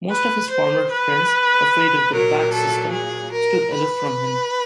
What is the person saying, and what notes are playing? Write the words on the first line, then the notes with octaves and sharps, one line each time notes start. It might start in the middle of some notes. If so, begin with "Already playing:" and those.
Most of his former friends, afraid of the Bach system, stood aloof from him.
B4
C5
B4
A#2 F#3 A#4
A4
G#4
A#4
B4